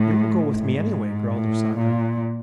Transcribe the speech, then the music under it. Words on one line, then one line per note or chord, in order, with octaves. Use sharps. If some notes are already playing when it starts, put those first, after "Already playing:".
"You will go with me anyway," growled Usanga.
Already playing: A2
G#2
A2
A#2